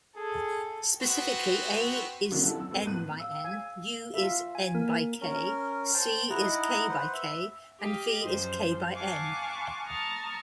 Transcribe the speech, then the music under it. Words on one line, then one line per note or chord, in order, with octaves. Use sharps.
Specifically, "A" is "n"-by-"n", "U" is "n"-by-"k", "C" is "k"-by-"k" and "V" is "k"-by-"n".
G#4 A4
B3 C4 F#4
D3 D#3 F#3 A#3 C4 C#4
C3 F#3 E4 F#4 A4
E6
A3 B3 A#4 D#7
A2 B3 F#6
F5 E6
G#5
F4 E5
G#5
A#3 A#4
C#4 A#4
C5 G5 A5
D#4 E4 D#5 F#5
B4 C5 F#5
E5
G4 D#5 F5
F#2 F3 C5
F5 F#5 G#5 A5 C#6 D6
A5 A#5 C#6 D#6 F6 A6